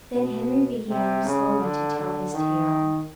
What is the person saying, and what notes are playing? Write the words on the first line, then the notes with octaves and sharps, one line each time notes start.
Then Henry began slowly to tell his tale.
B2
C3
C#3
D3
D3
D#3